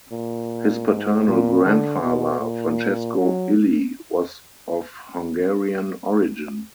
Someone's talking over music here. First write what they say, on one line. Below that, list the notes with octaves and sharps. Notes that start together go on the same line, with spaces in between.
His paternal grandfather, Francesco Illy, was of Hungarian origin.
A#2
G#2
A#2
D3
B2
A#2
F#3